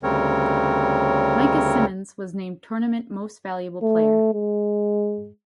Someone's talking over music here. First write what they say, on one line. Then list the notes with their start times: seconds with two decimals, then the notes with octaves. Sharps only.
Maika Symmonds was named Tournament Most Valuable Player.
0.03 D2 C#3 G3 C4 A#4 C#5
3.82 A3
4.34 G#3